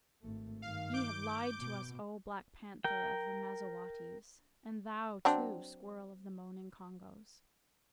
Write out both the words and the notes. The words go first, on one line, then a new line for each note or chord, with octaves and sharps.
'Ye have lied to us, O Black Panther of the Mazawattees - and thou, too, Squirrel of the Moning Congos.
G#1 A3
G2 D#3 F5
D6 G6 D7
B2
A#4 G5
F#3 C4 D4